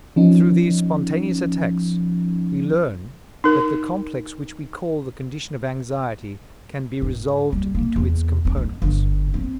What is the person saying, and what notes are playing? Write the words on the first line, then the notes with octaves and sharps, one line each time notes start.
Through these spontaneous attacks we learn that the complex which we call the condition of anxiety can be resolved into its components.
F3 C#4 D#4
D#4 A#4
G#2
G3
A#3
E2
C4
G#3
G1
C4